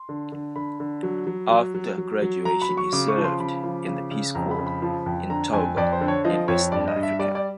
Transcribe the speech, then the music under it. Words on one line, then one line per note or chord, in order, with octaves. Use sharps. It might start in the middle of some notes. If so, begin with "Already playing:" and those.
After graduation he served in the Peace Corps in Togo, in western Africa.
Already playing: C6
D3
D3
D3 B5
D3
F#3
F#3
F#3
F#3
F#3
F#3
F#3 A#5
B5
F#3
C#6
C#3 D6
C#6
F3
C6
C#3 B5
F3
C#3
C#3
F2 A#5
B5
C#3
B5
F3
F2
D3 A#5
F2 G#5
F2 D5
C5
D3
C#5
F3 D#5
F2 C#5
G2 D5
D#5
G2
E5
G3 D5
D5